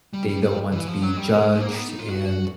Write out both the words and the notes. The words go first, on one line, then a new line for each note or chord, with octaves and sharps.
they don't want to be judged, and
G3
G3
G3
E3
F3
F#3
G3
G#3
A3
A#3
B3
D#4
F4
F#4